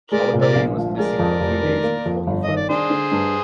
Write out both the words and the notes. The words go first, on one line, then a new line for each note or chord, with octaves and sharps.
Chowdhury was missing for three days before he filed the case.
G#3 A#4 D5
A#2
A#4 D5
A#1
F3
G#3 A#4 D5
F2
F1
D#3
A#3
F2
G1
D#3 D#5
D5
D4 G#4 C5
D3
G2